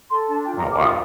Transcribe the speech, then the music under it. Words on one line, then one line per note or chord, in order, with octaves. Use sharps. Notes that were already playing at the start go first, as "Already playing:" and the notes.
Oh, wow.
A4 C6
D4 A5
F4 G5
A#5
A#4
D6
F4 D#6